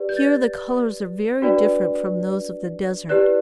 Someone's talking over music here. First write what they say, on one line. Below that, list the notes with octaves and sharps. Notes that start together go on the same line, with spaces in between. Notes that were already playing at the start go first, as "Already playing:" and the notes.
Here the colors are very different from those of the desert.
Already playing: G4 B4 D5
G6
A6
D4 F#4 B4 D5
E4 G4 B4 D5 F#6